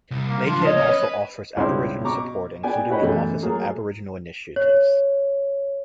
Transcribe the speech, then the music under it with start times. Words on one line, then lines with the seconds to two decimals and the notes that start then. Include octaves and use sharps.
Lakehead also offers Aboriginal support including the Office of Aboriginal Initiatives.
0.11 C2
0.29 A#3
0.46 C#2 F3 D4 F4
0.64 C#5 D#5
0.77 A#3 C#4
0.92 B4
1.57 C#2 G2 C4 C#4 E4 C6
2.04 B2 A#5 C#6 D6
2.63 B3 D5 G5 G#5
2.89 E4 F#4 G4 B4 C#5 D#5
3.02 F#2 B2 E3 A3
3.42 F#3 A3 A#3 G#4
4.56 C#5